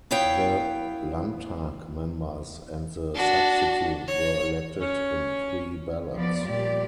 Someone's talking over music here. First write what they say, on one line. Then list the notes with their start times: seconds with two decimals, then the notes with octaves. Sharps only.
The Landtag members and the substitute were elected in three ballots.
0.11 B3 E4 C#5 F5 G5
3.15 D4 F#4
4.07 C#5
4.81 C#4
6.14 F3 B3 D5
6.46 A#2 G3 G4 D5